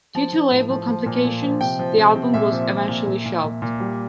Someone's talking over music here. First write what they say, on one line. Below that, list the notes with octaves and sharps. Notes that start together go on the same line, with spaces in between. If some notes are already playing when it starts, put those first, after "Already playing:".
Due to label complications, the album was eventually shelved.
F3 A5
F3
A2
F3
F3
A#2
A#2
F3
C3 G5
F3
C3
C3
A#2 E5
F3
F3
A#2
A#2
A#2
A#2
A#2
G3